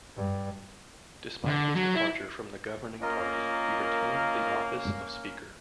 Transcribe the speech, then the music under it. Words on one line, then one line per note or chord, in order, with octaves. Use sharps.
Despite his departure from the governing party, he retained the office of Speaker.
G2
D3
F#3
E4
A#3 C#4 F4 A#4 D#5 F5